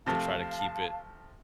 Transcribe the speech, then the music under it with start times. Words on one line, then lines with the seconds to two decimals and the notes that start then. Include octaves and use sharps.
to try to keep it,
0.06 C3 F3 A3 F5 A5